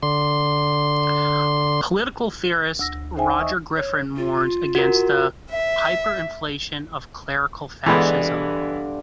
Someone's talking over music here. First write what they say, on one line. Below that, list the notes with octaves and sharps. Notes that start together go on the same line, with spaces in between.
Political theorist Roger Griffin warns against the "hyperinflation of clerical fascism".
D3 C6
D2 E6 A#6
D#4 C5 E5 G5 G#5
D#5 E5 C#6 D#6 E6
C#5
F4
F#4 A#4
E5
G2 D3 E3 G#3 B3